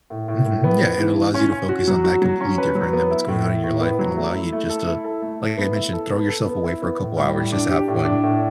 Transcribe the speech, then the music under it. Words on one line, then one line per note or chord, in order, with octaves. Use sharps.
Mhm, yeah, it allows you to focus on that complete different than what's going on in your life and allow you just to, like, I mentioned, throw yourself away for a couple hours just to have fun.
A2
A2
A2
B3
B3
E3
E3
C#4
C#4
F#4
F#3
F#4
F#3
C#4
B4
F#3
B3
E4
A2
A2
A2
B3
F#3
A3
E4
A3
A4
E4
A4
A3
A3
B3
E4
A4
B3
A4
B3
E4
B3
A2
G3
A2
D4
G4
A2
D4
A2